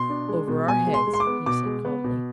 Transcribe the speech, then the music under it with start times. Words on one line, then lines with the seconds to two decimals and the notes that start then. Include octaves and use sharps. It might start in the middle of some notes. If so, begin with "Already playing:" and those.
"Over our heads," he said calmly.
Already playing: B2 C6
0.10 D4
0.29 G#3
0.48 B2
0.68 B2 G#5
0.87 G#3
0.94 C6
1.07 G#3
1.14 C6
1.20 D6
1.27 B3
1.46 B2 D6
1.65 G#3
1.85 B3
2.04 B2